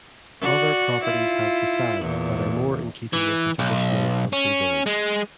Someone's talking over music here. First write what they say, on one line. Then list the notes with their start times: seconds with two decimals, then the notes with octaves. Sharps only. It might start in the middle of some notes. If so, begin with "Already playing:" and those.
Other properties have facades that are more in keeping with a traditional country village.
0.41 F#4 D5
1.03 E4 F4
2.01 E2 A#2
3.13 E3
3.59 B1
4.33 C#4
4.86 G#3